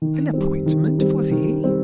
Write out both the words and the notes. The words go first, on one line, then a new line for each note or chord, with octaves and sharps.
"An appointment? for thee!"
D#3
G3 C4
D#3
G3 C4
D#3
G3 C4